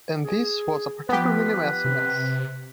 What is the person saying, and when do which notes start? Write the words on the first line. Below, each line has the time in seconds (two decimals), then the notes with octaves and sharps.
And this was a particularly messy mess.
0.24 G#4
1.09 F3 B3 G4 B4
1.85 C3